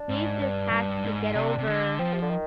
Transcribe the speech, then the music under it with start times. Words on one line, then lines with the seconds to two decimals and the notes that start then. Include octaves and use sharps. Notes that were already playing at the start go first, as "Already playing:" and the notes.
she just has to get over
Already playing: D4
0.09 G#2
0.41 G2
0.72 G2
1.04 G#2
1.35 C3 D4
1.58 C3
1.67 D3
1.99 F3 C4
2.13 C3
2.22 D3
2.30 D#3